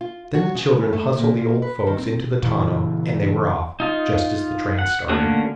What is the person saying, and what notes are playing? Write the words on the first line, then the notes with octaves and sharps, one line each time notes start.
Then the children hustled the old folks into the tonneau and they were off, just as the train started.
F4
F#4
C#3
E2
A3
A#2
A#2
B4
D#3
C4
A#2 C#3 E3
D#4 F4
F#5
D3 A3 A#3 C#4 F#4